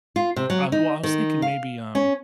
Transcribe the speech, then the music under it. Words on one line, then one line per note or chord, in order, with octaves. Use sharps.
I well, I was thinking maybe, um,
F4
C3
F#3
D#4
D#3
F5
C#4